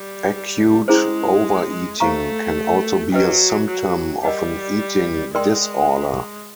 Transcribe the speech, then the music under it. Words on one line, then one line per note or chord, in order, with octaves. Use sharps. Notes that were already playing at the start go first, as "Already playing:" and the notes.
Acute overeating can also be a symptom of an eating disorder.
Already playing: G3
G#3 C#4 E4 G#4 C5
A3 C5 F5 A#5 C#6
F#3 B4 D#5 G5
F#3
G3 A#4 D#5 F#5
G#3 A#4 D5 G5 C6